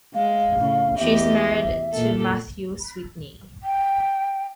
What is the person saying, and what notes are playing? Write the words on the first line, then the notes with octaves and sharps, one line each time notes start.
She is married to Mathieu Sweeney.
G#3 F5
A2 C#3
E2 G4 D#5 E5
A#2 A4
G5